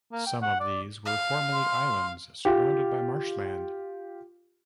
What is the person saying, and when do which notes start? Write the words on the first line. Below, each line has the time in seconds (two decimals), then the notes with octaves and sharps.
Some of these were formerly islands surrounded by marshland.
0.12 A#3
0.26 G5
0.42 F#5
0.60 D5
1.06 F5
1.53 C6
2.45 F4 G4